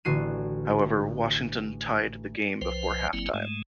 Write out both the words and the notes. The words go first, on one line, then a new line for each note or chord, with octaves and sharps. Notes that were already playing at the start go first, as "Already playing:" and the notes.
However, Washington tied the game before halftime.
A1 D3 F#4 C7 D#7
C2 F3 B4 C5
G1 F#3 A#3 C4 E4
G#2 G#3 A3